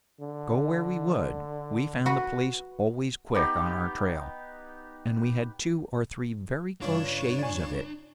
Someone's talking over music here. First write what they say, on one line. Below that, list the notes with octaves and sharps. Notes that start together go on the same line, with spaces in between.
Go where we would, we found the police always quick on our trail, and we had two or three very close shaves of it.
D3
F#4 B4
B3 D#4 G4
G2 C#3 D4 F4 C#5 E7
D5 G#5